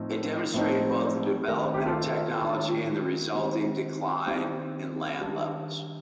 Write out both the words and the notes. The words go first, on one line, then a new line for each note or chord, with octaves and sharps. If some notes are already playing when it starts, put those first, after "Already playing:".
They demonstrate both the development of technology and the resulting decline in land levels.
Already playing: A2 F3 C4 D#4
A2 F3 C4 D#4
D#3 A3 D4 A#4
A4
G4
F4 A4
D#3 A3 D4
D#3 G3 C4 D#4
D#3 G3 C4 D#4 G4
D#3 G3 D4